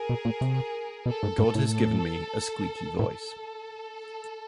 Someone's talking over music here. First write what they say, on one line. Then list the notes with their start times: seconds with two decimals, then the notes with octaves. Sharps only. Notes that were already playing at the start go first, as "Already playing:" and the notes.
God has given me a squeaky voice.
Already playing: G#4 A#4
0.09 B2
0.25 A#2
0.41 C3
1.06 B2 A4
1.23 G#2
1.38 G#2
1.55 A2
1.70 A4
2.99 A2 A4